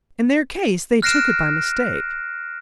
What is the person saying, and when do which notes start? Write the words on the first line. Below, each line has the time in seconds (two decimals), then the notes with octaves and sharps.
In their case they took it by mistake.
1.02 F6 F#6 A#6 C7 D7 E7